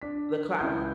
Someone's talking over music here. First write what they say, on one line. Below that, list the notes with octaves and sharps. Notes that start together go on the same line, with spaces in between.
the clouds
D4 B6
C#2 E4 G6